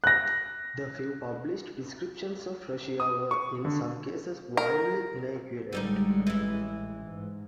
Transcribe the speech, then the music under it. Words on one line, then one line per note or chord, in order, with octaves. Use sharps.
The few published descriptions of Russia were in some cases wildly inaccurate.
F#6 A#6
D#6
C#6
D3
A#4
A1 D3 G3 G#3 D#4
E3 E4
G#2